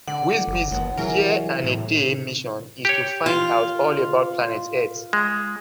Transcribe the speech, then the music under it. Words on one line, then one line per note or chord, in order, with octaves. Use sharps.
Wizbit's year-and-a-day mission is to find out all about planet Earth.
D3 D5 F#5
F#1
F#1 D#2 B3
E3 F#3 G#4 A#4
A2
G4 C#5
F4
G#3